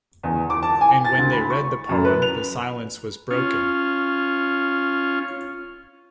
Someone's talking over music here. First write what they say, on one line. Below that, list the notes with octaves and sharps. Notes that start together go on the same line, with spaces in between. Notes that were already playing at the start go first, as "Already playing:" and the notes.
And when they read the poem, the silence was broken.
E2
D6
A5
G#5
A6
D2
B5
C#6
F#2
B4
F7
C#4 F4